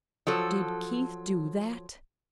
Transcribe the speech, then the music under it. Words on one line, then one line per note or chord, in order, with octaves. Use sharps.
"Did Keith--do that?"
F3 F#3 A4